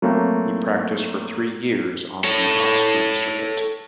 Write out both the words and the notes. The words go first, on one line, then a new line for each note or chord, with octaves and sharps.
He practised for three years on the Oxford Circuit.
F#3 A3 A#3 C4
A4 C#5